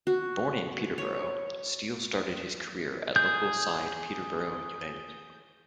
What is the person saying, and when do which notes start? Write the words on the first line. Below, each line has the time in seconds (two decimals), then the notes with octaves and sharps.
Born in Peterborough, Steele started his career at local side Peterborough United.
0.07 F#4
0.98 C#5
3.16 G#4 G6